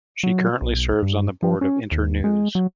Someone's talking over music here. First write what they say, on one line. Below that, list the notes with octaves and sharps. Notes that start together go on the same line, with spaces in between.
She currently serves on the Board of Internews.
F#3
B1
G2
F3
C#4
D#2
G#3
F#3